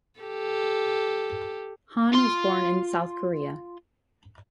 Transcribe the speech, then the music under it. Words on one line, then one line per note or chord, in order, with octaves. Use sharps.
Han was born in South Korea.
G4 A4
F4 C6